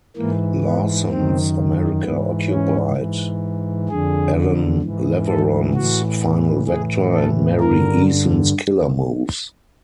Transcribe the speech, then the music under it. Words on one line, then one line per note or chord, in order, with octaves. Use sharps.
Larson's "America Occupied", Allan Leverone's "Final Vector", and Mary Eason's "Killer Moves".
G#2 E3 A#3
B3
F#2 D#3 C4
G#2 E3 B3
C#4
G#2 E3
F2 D3 G#4
G#2 E3
A4
A2 E3 F#4
A2 E3 G#4
A4
G2 D3 A#4